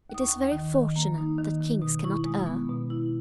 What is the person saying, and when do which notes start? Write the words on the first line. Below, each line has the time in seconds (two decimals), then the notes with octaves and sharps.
It is very fortunate that kings cannot err.
0.10 D#2 D#6
0.20 C#6
0.31 D#2
0.52 D#3
0.74 D#3
0.96 A#3
1.18 D#4
1.39 D#3
1.61 D#3
1.82 B2 D#6
2.04 E4 C#6
2.25 G#3 D#6
2.46 B3
2.69 B2
2.90 E4